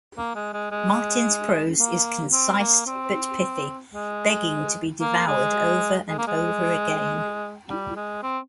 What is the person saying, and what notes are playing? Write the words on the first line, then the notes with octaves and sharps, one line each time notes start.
Martin's prose is concise but pithy, begging to be devoured over and over again.
A#3
G#3
G#3
G#3
A#3
C4
A#3
C4
G#3
A#3
G#3
G#3
A#3
G#3
G3
G#3
C4